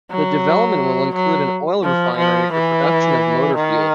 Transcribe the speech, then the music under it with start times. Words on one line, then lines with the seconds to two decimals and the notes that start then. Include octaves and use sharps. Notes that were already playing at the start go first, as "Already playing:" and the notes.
The development will include an oil refinery for production of motor fuels.
0.11 F#3
1.14 F#3
1.83 F3
2.17 F3
2.52 E3
3.56 D#3